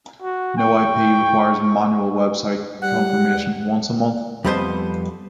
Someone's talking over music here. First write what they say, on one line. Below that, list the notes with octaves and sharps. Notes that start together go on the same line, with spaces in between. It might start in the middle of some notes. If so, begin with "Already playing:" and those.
No-ip requires manual web site confirmation once a month.
F#4
G5 C#6
G3 F#5
F2 G3 B3 E4 C5 D#5